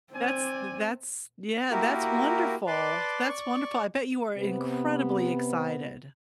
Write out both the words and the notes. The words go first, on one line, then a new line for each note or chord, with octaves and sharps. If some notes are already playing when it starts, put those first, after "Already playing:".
That's th that's yeah, that's wonderful, that's wonderful. I bet you are incredibly excited.
C4 D5 G#5
A#3 E4 F#4 G4 A#4
B4 D5 A5 C6 D6
D5 C#6
C3 B3